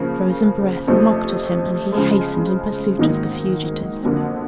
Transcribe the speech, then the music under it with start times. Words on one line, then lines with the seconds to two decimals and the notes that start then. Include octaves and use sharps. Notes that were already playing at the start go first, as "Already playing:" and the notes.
The frozen breath mocked at him, and he hastened in pursuit of the fugitives.
Already playing: C#3 F3 A#3
0.87 F2 C3 F3 A3 C4
1.92 C#3 F3 G#3
2.98 G#2 D#3 F#3 A#3 D#4
4.03 F2 D3 F#3 A#3